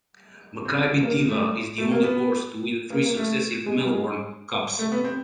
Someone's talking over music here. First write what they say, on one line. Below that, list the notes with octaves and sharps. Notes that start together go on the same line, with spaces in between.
Makybe Diva is the only horse to win three successive Melbourne Cups.
C4
A#3
A3
A3
A#3
B3
A#3
A#3
A3
G#3
G3
G#3
A3
B3
C4